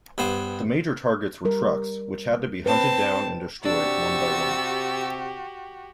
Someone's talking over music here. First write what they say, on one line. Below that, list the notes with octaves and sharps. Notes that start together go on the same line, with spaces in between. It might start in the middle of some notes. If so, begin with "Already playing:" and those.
The major targets were trucks which had to be hunted down and destroyed one-by-one.
G2 B3 C5
G3 A#4
C4 B4 A5
C3 D4 F#4 G4 C#6 E6 A6